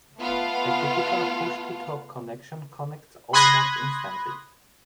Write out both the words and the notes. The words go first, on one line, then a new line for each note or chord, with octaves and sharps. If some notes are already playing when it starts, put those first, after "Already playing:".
A typical push-to-talk connection connects almost instantly.
A3 B3 F4 F5 F#5
B5 C6 D#6 F#6 G#6 A#6